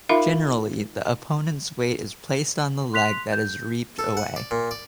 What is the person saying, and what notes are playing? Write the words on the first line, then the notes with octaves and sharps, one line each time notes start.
Generally the opponent's weight is placed on the leg that is reaped away.
D#4 F4 A#4 E5 F5 B5
C6 F#6 B6 F7
G6
A4
F#5
D5
A#2
D5